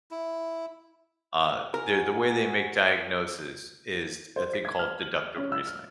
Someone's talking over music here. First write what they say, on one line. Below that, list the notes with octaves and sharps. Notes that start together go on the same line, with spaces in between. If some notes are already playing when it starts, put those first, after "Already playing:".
uh, they're the way they make diagnosis is a thing called deductive reasoning.
E4
F#4 A#4 G#5
C5
B6
G#6
F6
F#7
F6
C#4
E6
F6